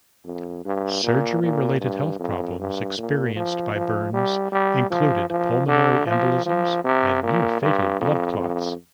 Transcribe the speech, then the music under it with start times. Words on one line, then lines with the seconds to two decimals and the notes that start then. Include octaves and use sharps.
Surgery-related health problems experienced by Burns included pulmonary embolisms and near-fatal blood clots.
0.26 F2
0.65 G2
1.03 A#2
1.43 A#2
1.80 G2
2.19 F2
2.59 G2
2.98 A#2
3.36 F3
3.75 F3
4.13 G3
4.52 G3
4.91 F3
5.30 F3
5.68 D3
6.07 F3
6.46 F3
6.84 C3
7.23 A#2
7.62 G2
8.00 F2
8.39 F2